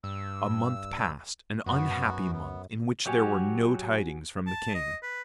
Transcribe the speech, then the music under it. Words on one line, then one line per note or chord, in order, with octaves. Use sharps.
A month passed, an unhappy month in which there were no tidings from the King.
G2 E6
F#2 B3 F#4
B3
F#3 F#4 G4 C#5 G#5
A5
D#5
B4